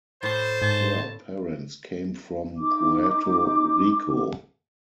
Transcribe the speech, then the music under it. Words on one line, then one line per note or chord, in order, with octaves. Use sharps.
Her parents came from Puerto Rico.
A2 C5 A5
G#2 A5
D#4 D6